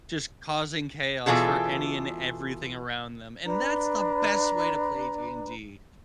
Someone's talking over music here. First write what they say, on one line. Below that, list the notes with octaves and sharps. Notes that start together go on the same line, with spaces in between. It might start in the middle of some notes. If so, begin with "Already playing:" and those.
just causing chaos for any and everything around them, and that's the best way to play D&D
B2 E3 F#3 F4 G#4 A4
D4 B4 A#5